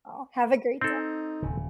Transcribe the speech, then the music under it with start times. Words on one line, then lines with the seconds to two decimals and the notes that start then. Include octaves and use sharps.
Aw, have a great day.
0.81 C4 D#4 A4
1.43 D#1 C#3